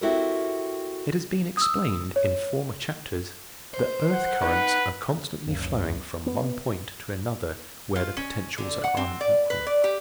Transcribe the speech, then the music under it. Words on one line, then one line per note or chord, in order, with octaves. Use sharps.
It has been explained in former chapters that earth-currents are constantly flowing from one point to another where the potentials are unequal.
C4 E4 F#4 G4 A4 A#4
D#6 E6
C#5
C5
F#5
D#4 B4
F#1 C#2
B3
F4
C#4
D3
F#5
C4
D5
B4
D5
G4